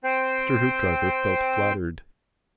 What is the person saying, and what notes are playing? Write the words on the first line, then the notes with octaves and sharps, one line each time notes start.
Mr. Hoopdriver felt flattered.
C4 C5 G5